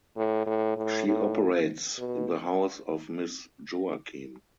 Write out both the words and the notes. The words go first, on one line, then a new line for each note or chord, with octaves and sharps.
She operates the House of Miss Joaquim.
A2
A2
A2
A2
B2